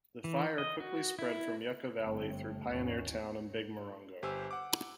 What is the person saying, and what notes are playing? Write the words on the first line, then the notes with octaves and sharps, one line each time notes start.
The fire quickly spread from Yucca Valley through Pioneertown and Big Morongo.
E3
D#5
F#4
E4
G1 A3 C4
G#1 D#2 G#2 D#3 E3 C#4
G1 G4 C5 G#5 E6
F#5 D6